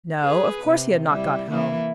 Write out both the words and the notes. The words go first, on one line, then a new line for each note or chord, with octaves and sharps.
No, of course he had not got home.
G#4 B4
C3
G3 E4
E3 A#3 E4